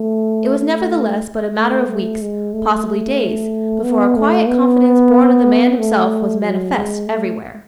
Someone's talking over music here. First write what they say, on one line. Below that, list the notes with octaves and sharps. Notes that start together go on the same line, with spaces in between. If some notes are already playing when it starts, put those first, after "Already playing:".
It was nevertheless but a matter of weeks, possibly days, before a quiet confidence born of the man himself was manifest everywhere.
Already playing: A3
A3
A3
A3
G#3
A3
B3
A3
B3
A3
F#3
G#3
A3